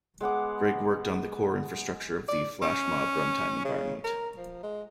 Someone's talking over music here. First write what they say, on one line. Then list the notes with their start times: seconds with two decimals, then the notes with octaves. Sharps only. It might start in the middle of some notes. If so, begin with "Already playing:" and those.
Greg worked on the core infrastructure of the FlashMob run time environment.
0.20 G#3 B3 F#5 D6
2.29 D5
2.62 C#4
3.65 C#3
4.04 A#4
4.37 F3
4.63 G#3